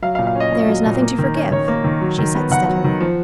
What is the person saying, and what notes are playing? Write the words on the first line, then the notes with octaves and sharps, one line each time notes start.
"There is nothing to forgive," she said steadily.
F#3 F5
F5
A#2
F5
C#4 D#5
A#2
F#3
A#2
A#3
D#3
C#4
D#3 C#5
A#3
D#3
F#3
D#3
B3
D#3 F#5
F#3
D#3
F3